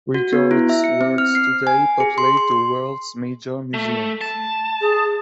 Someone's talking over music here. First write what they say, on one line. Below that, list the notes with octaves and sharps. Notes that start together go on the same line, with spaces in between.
Rigaud's works today populate the world's major museums.
F#4
B3
E4
E5
C#7
C4
F6
C7
G#5
G#4
C6
C6
A3
A5
G#4